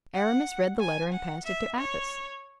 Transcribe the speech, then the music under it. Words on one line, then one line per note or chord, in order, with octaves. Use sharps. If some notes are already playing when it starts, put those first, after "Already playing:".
Aramis read the letter, and passed it to Athos.
F#5
G#5
F#5
E5
C#5